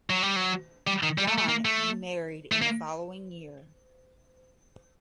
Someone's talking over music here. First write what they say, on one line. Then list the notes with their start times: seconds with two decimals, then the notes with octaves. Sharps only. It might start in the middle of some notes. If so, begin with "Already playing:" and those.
John remarried in the following year.
0.10 F#3
0.22 G3
0.36 F#3
0.87 G3
1.03 D#3
1.18 G3
1.28 A3
1.38 A3
1.49 A#3
1.65 A3
2.52 A3
2.62 A#3